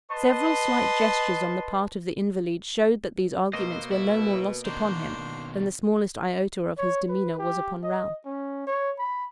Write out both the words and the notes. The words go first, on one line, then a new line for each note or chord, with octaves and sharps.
Several slight gestures on the part of the invalid showed that these arguments were no more lost upon him, than the smallest iota of his demeanour was upon Ralph.
B4 D#5 A5 C6
B2 A#3 C5 D#5
E4
B2 D#3 D4 C5
C#5
B4
G4
D#5
C#4
C#5
B5